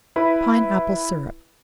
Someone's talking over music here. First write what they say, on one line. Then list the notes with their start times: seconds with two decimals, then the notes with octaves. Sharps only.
Pine Apple Syrup.
0.16 E4 B4 B5